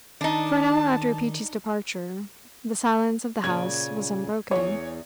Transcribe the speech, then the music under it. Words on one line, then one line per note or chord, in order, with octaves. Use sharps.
For an hour after Peachey's departure, the silence of the house was unbroken.
D#3 D4 D#4 A5
A#2 C#3 G#6
E2 G#2 G#4 C#5